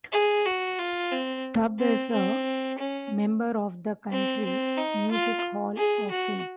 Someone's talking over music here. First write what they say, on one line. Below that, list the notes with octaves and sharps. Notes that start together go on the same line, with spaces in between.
Tubb is a member of the Country Music Hall of Fame.
G#4
F#4
F4
C4
C4
C4
C#4
C4
C4
D#4
F4
G#4
F#4